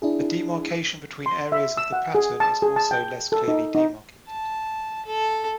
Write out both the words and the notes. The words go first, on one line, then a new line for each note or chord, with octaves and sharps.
The demarcation between areas of the pattern is also less clearly demarcated.
D4 E4 G#4
C6
E5
E6
F#5
G#4
A5
G#4
A5
G5
A4
D#4
D#4
A5
A4